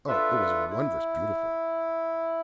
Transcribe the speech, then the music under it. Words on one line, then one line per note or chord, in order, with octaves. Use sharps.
Oh, it was wondrous beautiful!
D4 F4 A4 B4 E5
E4